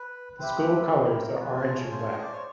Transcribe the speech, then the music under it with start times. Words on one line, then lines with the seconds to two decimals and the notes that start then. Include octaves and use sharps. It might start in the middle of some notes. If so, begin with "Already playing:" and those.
The school colors are orange and black.
Already playing: B4
0.39 C4 E4 G4 B4
0.83 A4
0.90 A#4
1.41 A3 C#4 F4 G#4 B4
1.58 C5
1.91 C5
2.12 D#5
2.23 D5
2.33 C#5